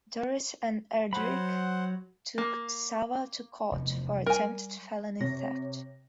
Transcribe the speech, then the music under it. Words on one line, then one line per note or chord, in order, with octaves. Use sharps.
Dorris and Erdrich took Sava to court for attempted felony theft.
F#3 C5 F#5 B5
A#3
F1 E2
G3 A#4 G#5
C3 C#5 A#6